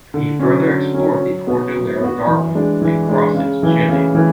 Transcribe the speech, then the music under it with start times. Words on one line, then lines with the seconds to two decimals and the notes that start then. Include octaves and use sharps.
He further explored the Cordillera Darwin and crossed into Chile.
0.14 D3
0.39 F#3 C#4
0.67 D3
0.94 F#3 C#4
1.21 F#3
1.47 B3 F#4
1.74 F#3
2.00 B3 F#4
2.27 E3
2.55 G#3 D4
2.82 E3
3.08 G#3 D4
3.35 C#3
3.62 E3 A3
3.88 C#3
4.15 E3 A3